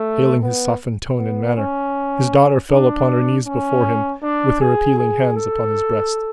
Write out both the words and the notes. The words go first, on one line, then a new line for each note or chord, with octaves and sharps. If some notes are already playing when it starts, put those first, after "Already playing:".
Hailing his softened tone and manner, his daughter fell upon her knees before him, with her appealing hands upon his breast.
Already playing: A3
B3
B3
C#4
D4
C#4
D4
G#4
G#4
A4